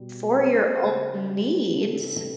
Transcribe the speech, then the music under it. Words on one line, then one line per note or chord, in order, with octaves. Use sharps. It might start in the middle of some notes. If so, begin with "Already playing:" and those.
for your own needs,
Already playing: B2 G3
C5
C#3 F#3
C3 E3 G3 A4